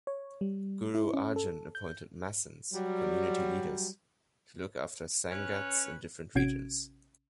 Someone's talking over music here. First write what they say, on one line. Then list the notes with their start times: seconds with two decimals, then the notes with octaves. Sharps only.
Guru Arjan appointed masands, community leaders, to look after sangats in different regions.
0.07 C#5
0.41 G3
0.95 E4
1.13 C#4
1.36 A4
1.75 G6
2.73 F#3 G3
5.31 C#4 B4 C#5
6.35 A1 C3 C#4 F#4 G#6 D7